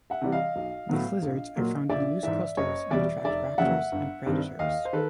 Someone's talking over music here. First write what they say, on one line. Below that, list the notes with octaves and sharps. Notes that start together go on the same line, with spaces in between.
These lizards are found in loose clusters and attract raptors and predators.
E5 F#5
C3 E3 G3
D#5 F5
B1
A2 F#3 B3
A#1
A#2 F#3 A#3
A#1 D5 E5
G#2 E3 D5 E5
F#1 C#5 D#5
E2 B2 G3 D5 E5
F1 D5 E5
F2 C#3 F#3 A#3 E5 F#5
G1
G2 D#3 G3 C4
D#2 D#5 F5
C5
D#3 A4 B4